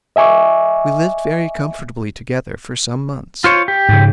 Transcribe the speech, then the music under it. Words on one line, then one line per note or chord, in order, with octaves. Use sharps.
We lived very comfortably together for some months.
D#5 E5 G#5 C#6 D6
F4 C5 C#5
G4
G#2 C#3